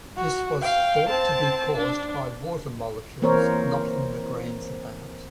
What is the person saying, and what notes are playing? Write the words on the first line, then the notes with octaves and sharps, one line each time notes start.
This was thought to be caused by water molecules knocking the grains about.
F#4
F5 G5
C4 A5
D4
E3 A#3 C4 A#4 C5 C#5